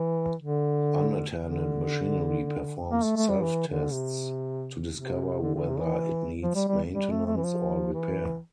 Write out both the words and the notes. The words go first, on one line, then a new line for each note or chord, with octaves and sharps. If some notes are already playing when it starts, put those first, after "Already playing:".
Unattended machinery performs self-tests to discover whether it needs maintenance or repair.
Already playing: E3
D3
D3
A#3
A3
A3
G3
E3
D3
C3
C3
D3
D3
C3
E3
F3
G3
G3
G3
A3
A3
E3
F3
E3